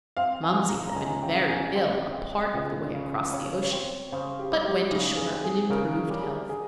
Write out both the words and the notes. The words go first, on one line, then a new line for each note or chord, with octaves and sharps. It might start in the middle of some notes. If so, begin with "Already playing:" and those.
Momsey had been very ill a part of the way across the ocean, but went ashore in improved health.
C4 F5
G#5
G#3
A#5
A#5
C#2 G#5
G5
C#3
G#5
C4 G5
G#3 D#5
C#2
C#3
C#3 C#5
C#5
C4 C5
C#3 C5
G4
G3
G4
C#3 D#4
G#4
C4
G#4
C#3 A#4
G3 G#4
G#4